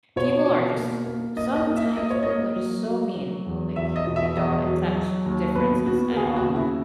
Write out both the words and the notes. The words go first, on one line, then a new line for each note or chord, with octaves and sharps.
people are just sometimes people are just so mean. Like, they don't accept differences at all.
B2 C#5
B2
A#3
A#3
A#3 D#5
D#5
A#3
E5
A#3 D#5
C#5
A#3 D#5
F#3
F#3
F#3
E2
E2 E5
D#5
B2
E5
E2 D#5
F#3
F#3
D#2
B3 B4
B3 F#4
A#4
D#2 G#4
F#4
C#3
E4